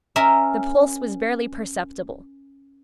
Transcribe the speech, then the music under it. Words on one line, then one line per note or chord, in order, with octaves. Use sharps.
The pulse was barely perceptible.
C#4 A#4 E5